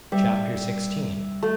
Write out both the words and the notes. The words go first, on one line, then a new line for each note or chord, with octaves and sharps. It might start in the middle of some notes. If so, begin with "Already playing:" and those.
Chapter XVI.
G3 E5
A3